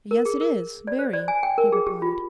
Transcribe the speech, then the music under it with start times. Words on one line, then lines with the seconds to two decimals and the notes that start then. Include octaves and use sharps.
'Yes, it is, very,' he replied.
0.11 A#4
0.25 G#4
0.41 A#4
0.87 D5
0.99 C5
1.13 D5
1.28 G#5
1.43 G5
1.58 A#4
1.72 G#4
1.87 G4
2.02 F4